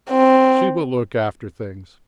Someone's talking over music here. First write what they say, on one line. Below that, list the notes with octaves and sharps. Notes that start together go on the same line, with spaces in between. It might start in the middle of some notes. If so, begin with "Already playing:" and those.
She will look after things.
C4